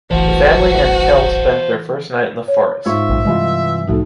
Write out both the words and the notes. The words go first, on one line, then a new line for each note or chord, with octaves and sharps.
The family and Kel spend their first night in the forest.
D1 G#1 D2 E3 F#4 C5 A5
C#5
G#2 F4 E5 C#6
A#1 F#2
G2 C3 E3 G#3 F4 D#5
C2 A2 F3 D#4 F#4 A4